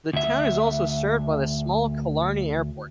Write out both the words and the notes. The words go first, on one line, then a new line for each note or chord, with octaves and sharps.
The town is also served by the small Killarney Airport.
D2 E5